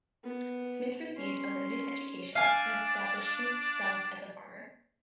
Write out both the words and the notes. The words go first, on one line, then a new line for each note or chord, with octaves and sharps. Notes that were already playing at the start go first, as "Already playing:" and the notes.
Smith received a limited education, and established himself as a farmer.
B3
C#4 C6
D4 F5 G#5